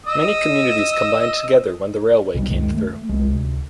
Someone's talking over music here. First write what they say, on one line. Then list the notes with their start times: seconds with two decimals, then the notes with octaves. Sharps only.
Many communities combined together when the railway came through.
0.06 D#5 E6
2.34 B1 B2 D#3 G3
2.50 C#2 F#2 D#3 G#3
2.75 A3
3.09 C2 G#3
3.28 D2 C3